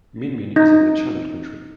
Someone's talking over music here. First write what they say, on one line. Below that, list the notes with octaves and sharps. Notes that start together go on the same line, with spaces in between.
Min Min is in the Channel Country.
D#4